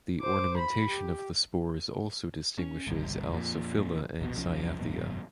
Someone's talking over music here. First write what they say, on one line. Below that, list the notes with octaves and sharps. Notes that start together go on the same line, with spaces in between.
The ornamentation of the spores also distinguishes "Alsophila" and "Cyathea".
C5 D6
B5
G4
C#4
G1 C2
F2 A#2
A#1 B2
C2 F3 C#4
G#1 F#2 B2